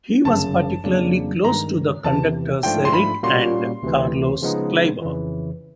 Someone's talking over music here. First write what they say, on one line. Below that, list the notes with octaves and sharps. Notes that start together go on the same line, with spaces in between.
He was particularly close to the conductors Erich and Carlos Kleiber.
G1 F#2 C#3 A5
F2 C#3 F#3 A#3 D4
G2 D#3 G#3 A#5
E2 C3 E3 A5
G#2 F3 A3 D4 F4 G5
C6
B5
A#2 G3 A#3 C#4 F#4 C6
D2 C3 E3
C#3 F3 G#3 B3 D#4
F2 C#3 E3